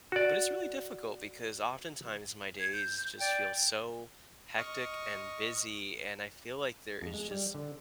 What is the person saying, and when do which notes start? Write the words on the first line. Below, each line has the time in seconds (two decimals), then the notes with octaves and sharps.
But it's really difficult because oftentimes my days just feel so hectic and busy, and I feel like there is just
0.12 F#4 D5
2.59 G#6
2.73 G6
3.20 D5 G5
4.57 D#5 C#6 D#6 F6
7.02 F2
7.14 G#3
7.31 G3
7.55 D3